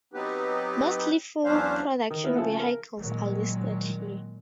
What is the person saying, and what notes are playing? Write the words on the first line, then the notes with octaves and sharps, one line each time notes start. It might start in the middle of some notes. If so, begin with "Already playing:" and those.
Mostly full-production vehicles are listed here.
F#3 B3 C4 D#4 G4 B4
E2 F#3 C#4 D4 C5 F5
D#3
A#3 B3 E4 A#4
C#3 F3 G#4 A4 E5 F#5
A#4
A#2 D#3 F#3 G#3